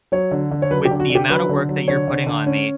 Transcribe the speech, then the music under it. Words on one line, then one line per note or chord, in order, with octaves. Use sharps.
with the amount of work that you're putting on me,
F#3 C#5
D3
D3
C#5
F#3 B4
G4
D3
F#4
D3
G4
F#3 B4
D3
F#3
D3 C#5
D3
D3
C#4